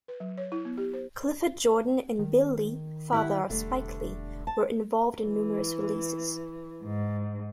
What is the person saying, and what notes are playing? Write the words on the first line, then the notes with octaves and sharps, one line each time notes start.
Clifford Jordan and Bill Lee, father of Spike Lee, were involved in numerous releases.
B4
F#3
C#5
E4
B3
G4
C5
D#3
D#3 E4 G4 F#5
E1 D3 G3 A3
A5
E3
G#2